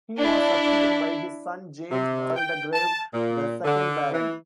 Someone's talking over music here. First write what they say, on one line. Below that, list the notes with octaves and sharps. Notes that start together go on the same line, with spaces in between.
He was succeeded by his son James Waldegrave, the second Baron.
D4 E4
C3
G5
A5
A#2
D3
E3